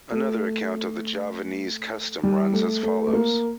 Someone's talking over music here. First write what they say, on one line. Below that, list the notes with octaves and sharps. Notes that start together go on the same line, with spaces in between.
Another account of the Javanese custom runs as follows.
A3
G3
A3
A3
A3
A#3